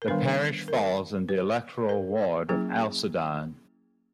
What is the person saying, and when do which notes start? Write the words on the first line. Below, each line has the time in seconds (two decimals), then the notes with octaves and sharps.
The parish falls in the electoral ward of Alcedon.
0.02 A#4
0.08 D#3 G3 B3 D4 B4
0.68 A#4
1.29 B4
1.89 A#4
2.49 F#3 A#3 C#4 E4 G#4